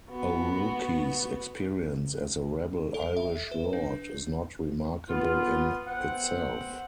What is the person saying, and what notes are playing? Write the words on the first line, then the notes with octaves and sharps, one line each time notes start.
O'Rourke's experience as a rebel Irish lord is not remarkable in itself.
B3 F#4
A4
E5
B4
D4
B3 F4
B3 C4 F#5